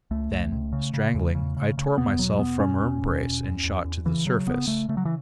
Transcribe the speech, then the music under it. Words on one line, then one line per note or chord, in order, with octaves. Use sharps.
Then, strangling, I tore myself from her embrace and shot to the surface.
C#2 A3
C#2
C#2
C#3
C#3
E2
C#3
C#3
C#3
E2 B3
B2 F#3
E2 B3
B2 C#4
E2
B2
E2
E2
E2
E2
C#3 E3
C#3 F#3
C#3 B3
C#3 A3
C#3 A3
F#3
E3